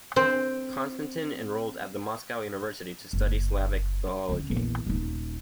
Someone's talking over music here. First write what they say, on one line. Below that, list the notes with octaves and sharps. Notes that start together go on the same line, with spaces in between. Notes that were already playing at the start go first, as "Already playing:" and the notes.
Konstantin enrolled at the Moscow University to study Slavic philology.
C4 C5
F#1
D3 C#4
A#1 E2
D#1 D#4